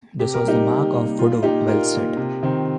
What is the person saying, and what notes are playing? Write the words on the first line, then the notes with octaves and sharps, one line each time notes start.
This was the mark of the voodoo, Welles said.
C3 G4
A#4
G3 A#3 D#4 G4
C3
G3 A#3
A#2 F4
A#3 D#4 G4
A#2 F4 A#4
A#3
C3
D#3 C4